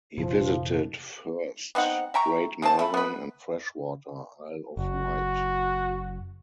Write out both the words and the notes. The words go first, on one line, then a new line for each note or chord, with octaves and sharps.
He visited first Great Malvern and Freshwater, Isle of Wight.
F1 A#2 E3 F3
B3 C4 D#4 F#5
E5 G5 A#5 C#6
C#3 C4 D4 A5
A3 B5
B3 B4
F#1 F#4